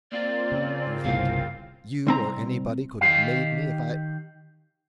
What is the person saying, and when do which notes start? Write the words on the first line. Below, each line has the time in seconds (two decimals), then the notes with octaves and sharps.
Do you think you or anybody could have made me if I . . .
0.12 A#3 C4 F4 D5
0.52 C#3 C#4
1.05 G1 C2 F5
2.07 C2 C4 A#5
3.01 D#3 G4 F5